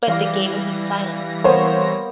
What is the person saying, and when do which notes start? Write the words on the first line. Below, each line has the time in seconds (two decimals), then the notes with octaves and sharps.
but the game would be silent,
0.07 E3 G3 D5 F5 D6 A#6
1.44 A#3 B3 C5 C#5 D#6